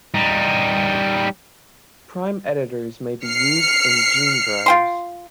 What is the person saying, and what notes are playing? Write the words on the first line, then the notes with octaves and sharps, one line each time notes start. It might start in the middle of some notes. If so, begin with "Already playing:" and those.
Prime editors may be used in gene drives.
G3 D#4
F6 C7 C#7
F4 G5 C6